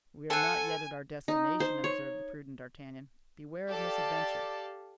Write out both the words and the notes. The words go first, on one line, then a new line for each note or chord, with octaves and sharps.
"We are not yet at our destination," observed the prudent D'Artagnan; "beware of misadventure."
A4 C5 F#5 G#5
D#4
C5
C#5
G4 A4 D5 F5 A5